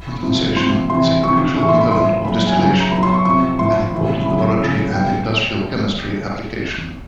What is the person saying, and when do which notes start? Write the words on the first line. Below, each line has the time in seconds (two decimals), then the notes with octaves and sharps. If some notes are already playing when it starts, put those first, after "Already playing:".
Condensation is a crucial component of distillation, an important laboratory and industrial chemistry application.
Already playing: B5
0.23 C3 F3
0.57 C3 F3 C6
0.90 C3 E3 C6
1.23 C3 F3 C#6
1.57 A2 E3 C#6
1.69 C6
1.81 B5
1.91 A2 F3 C6
2.24 A#2 F#3 B5
2.47 G#5
2.58 C#3 F#3 G#5
2.80 A#5
2.91 B2 F#3 B5
3.03 C6
3.14 C#6
3.25 C3 F3 C#6
3.59 A2 F3 C6
3.92 A2 E3
4.26 C#3 F#3 B5
4.60 C#3 F#3
4.93 B2 G5